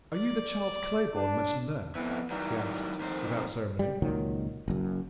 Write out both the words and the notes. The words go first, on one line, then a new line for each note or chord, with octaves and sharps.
"Are you the Charles Claybourne mentioned there?" he asked, without ceremony.
D5
D4
F2 E3 B3
D#3 E3 F#3 G3
F2 A#3 C5
G3
C#2 A#2 D#3 F#3
F#1 F#2